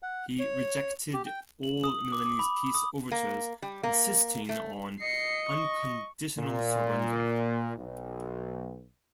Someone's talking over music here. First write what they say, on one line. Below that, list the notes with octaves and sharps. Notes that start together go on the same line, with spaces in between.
He rejected all Milanese peace overtures, insisting on unconditional surrender.
F#5
C#5
G4
G5
F#7
D#6
D6
D6
B5
D#6
A#3
G3
A#3
A3
D#5 C7 C#7
C#6
A#2
B1